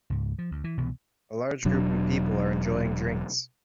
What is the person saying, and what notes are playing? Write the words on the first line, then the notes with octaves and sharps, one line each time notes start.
A large group of people are enjoying drinks.
C#2 G#2
F3
D2
E3
C2 B2 E3 B3
E1 B2 F#3 D4